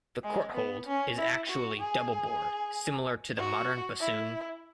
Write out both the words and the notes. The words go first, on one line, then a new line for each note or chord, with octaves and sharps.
The kortholt is actually double bored, similar to the modern bassoon.
G#3
B3
C#4
E4
F#4
G#4
F#4
E4